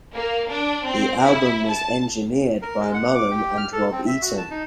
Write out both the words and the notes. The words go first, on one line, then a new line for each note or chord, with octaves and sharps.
The album was engineered by Mullen and Rob Eaton.
A#3
D4
C4
E4
A5
A#4
G#3
F#5
D6
G4
F6
A4
C4
E5
F#4
A5
D#4